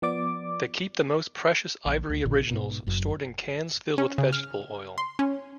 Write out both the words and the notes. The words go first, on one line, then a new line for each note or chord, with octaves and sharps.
They keep the more precious ivory originals stored in cans filled with vegetable oil.
F3 B3 D5 D6
A#1
D2
A#1 A#2 D3
G#2 B2
F#1 F#2
C#4
C#3
F6
C6
C#4